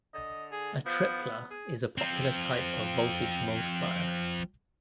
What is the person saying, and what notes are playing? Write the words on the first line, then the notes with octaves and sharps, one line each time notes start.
A tripler is a popular type of voltage multiplier.
D3 D#5
G#4
F3 B3
G#4
F3 C4